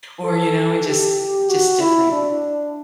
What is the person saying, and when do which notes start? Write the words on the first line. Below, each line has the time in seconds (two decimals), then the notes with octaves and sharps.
or, you know, just i just different
0.24 A4
0.87 G4
1.49 F#4
1.80 E4
2.12 D4